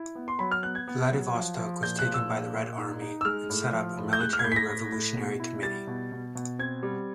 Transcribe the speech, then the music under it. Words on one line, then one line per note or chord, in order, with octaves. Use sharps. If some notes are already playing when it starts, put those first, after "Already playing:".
Vladivostok was taken by the Red Army and set up a Military Revolutionary Committee.
Already playing: E4
B3
C6
F#3 B5
F6
B3 F#6
G#6
B3
F#3
F3
F3
A#2 G6
F#6
F3
E6
A#2
A#2
D#4
D#4
E6
G#3 F6
A2
F3
A2
G6
G#3 F#6
F6
G#6
A2 G6
B6
A#6
A2
A2
B2
E4
G3 A6
B2
B2
B2
C4 G#6
G3